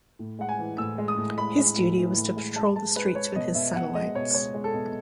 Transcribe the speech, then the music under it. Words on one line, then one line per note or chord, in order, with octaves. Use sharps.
His duty was to patrol the streets with his satellites.
A2
G#3 F#5
G#5
E3
A2 E6
G#3
D#6
A2
G#3 B5
G#3
A2
E3
A2
G#3
G#3 A5
G#3 A5
G#3 B4
G#3 C#5
B2 D#5
B2 E5
B2 F#5
G#3 D#5
B2 C#5
G#3 C#5
G#3
A4
B2